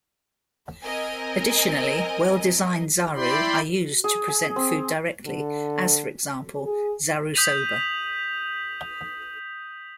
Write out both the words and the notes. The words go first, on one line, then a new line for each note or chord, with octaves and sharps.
Additionally, well-designed "zaru" are used to present food directly, as for example "zarusoba".
C4 A#4 D#5 G#5
E4 D5 G5 B5 C6
G#4
G#4
C4
D3
G#4
D#6 G6 B6 D#7 F7 F#7